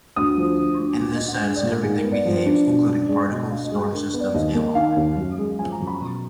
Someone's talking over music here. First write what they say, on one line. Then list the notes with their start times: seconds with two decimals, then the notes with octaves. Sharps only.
In this sense, everything behaves, including particles, storm systems, and law.
0.16 D2 D#6
0.38 F3
0.59 D3
0.79 D2
1.00 A#2 D6
1.14 D#5
1.21 D4
1.28 F#5
1.42 G#3
1.56 D5
1.63 A#2
1.69 A#4
1.83 G#2 G#4
1.98 A#4
2.04 B3
2.12 D5
2.25 F3
2.46 D4
2.67 B2
2.88 D4
3.08 G#3 D5
3.29 B2 D#5
3.51 D2 F5
3.64 D#5
3.71 G#3
3.78 G#4
3.92 D3 A#4
4.14 B3
4.20 D5
4.34 D#2 D#5
4.55 A#3
4.75 D#3 F5
4.96 D#2
5.17 F#2
5.38 G#3
5.59 F3 G#5
5.72 A#5
5.80 F#2
5.87 B5
6.01 B2 A#5